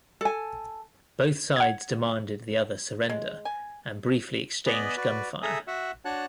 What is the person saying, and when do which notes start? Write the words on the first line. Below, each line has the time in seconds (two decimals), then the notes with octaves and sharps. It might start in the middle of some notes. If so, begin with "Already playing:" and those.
Both sides demanded the other surrender, and briefly exchanged gunfire.
0.21 A4 G#5
1.56 F#5 G#6
3.09 G#3
3.45 G#5
4.66 B3 B4 D5 D#5 G#5 B5
4.97 F#4 B4 D5
5.43 G#4 A4 E5 G#5 A#5 D#6
5.67 F#4 E5 F#5
6.05 D4 F#4 C#5 F#5 A5 F#6